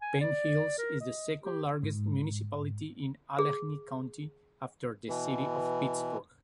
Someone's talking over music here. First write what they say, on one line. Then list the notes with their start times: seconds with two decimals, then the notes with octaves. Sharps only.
Penn Hills is the second-largest municipality in Allegheny County, after the city of Pittsburgh.
0.02 G#5
0.20 D5
0.78 A#4
1.00 D#5
1.43 G4
1.83 G#2
3.39 G#4
5.09 B2 E3